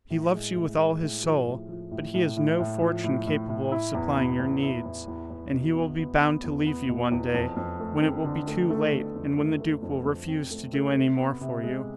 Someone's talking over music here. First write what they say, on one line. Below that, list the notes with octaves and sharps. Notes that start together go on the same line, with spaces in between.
He loves you with all his soul, but he has no fortune capable of supplying your needs, and he will be bound to leave you one day, when it will be too late and when the duke will refuse to do any more for you.
A2
G#3
A2
G#3
A2
F3
A2
F3
A2
A2
A2
A2
F3
A2
A2
A2
E4
E2
B3
E2
E4
E2
E2
E2
B2
B3
B3
B3
E2
B3
B2
E2
F2
F2
A3
C4
D3
A3
A3
D3
F2
A3
A3
F2
F2
C4
A3
A3
C3
B3
C3
G#3